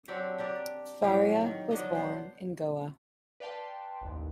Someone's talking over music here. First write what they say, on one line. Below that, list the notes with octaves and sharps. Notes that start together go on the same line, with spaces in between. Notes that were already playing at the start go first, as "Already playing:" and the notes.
Faria was born in Goa.
F#3 C4 D4 G4
D4 G4 A#4 D5
A2 F#3 G4 F5
D#3
F3 F#3 D4 D#5
B3 C5
B4 D5 F5 G5 A5 C6
A1 D#2